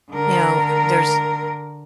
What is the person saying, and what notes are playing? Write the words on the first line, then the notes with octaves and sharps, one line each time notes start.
you know, there's,
D3 A#4